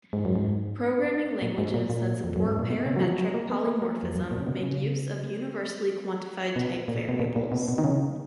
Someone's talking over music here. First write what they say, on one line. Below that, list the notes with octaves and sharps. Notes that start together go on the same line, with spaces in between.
Programming languages that support parametric polymorphism make use of universally quantified type variables.
G#2
F#2
G#2
A#2
G#2
A#2
A#2
F2
F#2
G#2
A#2
B2
C#3
F#3
F3
F#3
A#3
B3
A#3
A#3
F2
F#2
A#2
C#3
B2
C#3
B2
A#2
B2
A#2
A#2
B2
B2
D#3
C#3